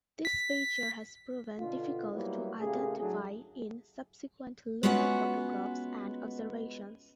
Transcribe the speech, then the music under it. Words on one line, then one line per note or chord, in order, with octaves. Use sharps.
This feature has proven difficult to identify in subsequent lunar photographs and observations.
B6
B2 D3 F4
F#3 G3 A#3 B3 E4
A#2 C#3 A3 A#3 G4 G#4
A2 F#3 A3 D4 G#4
G#3 B3 C#4 F4 F#4 F#5